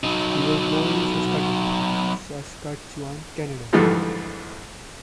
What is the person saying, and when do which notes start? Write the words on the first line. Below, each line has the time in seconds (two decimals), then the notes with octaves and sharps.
He was born in Saskatoon, Saskatchewan, Canada.
0.04 F#3 D#4
3.73 F2 G#2 D3 E3 F3 G3